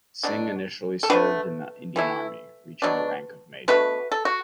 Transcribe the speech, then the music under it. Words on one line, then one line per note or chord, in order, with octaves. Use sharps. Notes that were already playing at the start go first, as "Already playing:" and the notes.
Singh initially served in the Indian Army, reaching the rank of Major.
B2 F#3 D4
A4
D3 A3 D4 F#4 B4
E3 A3 E4
B2 F#3 D4
B2 A3 D4 F#4 B4
A4
F#4